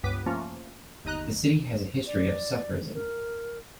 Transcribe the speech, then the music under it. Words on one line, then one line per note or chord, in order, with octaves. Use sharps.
The City has a history of Sufism.
C#2 G2 B3 B4 D6
F3 A3 A#3 C#4 F4
G1 D#2 D#4 D#5 A#5 F#6
D5
A#4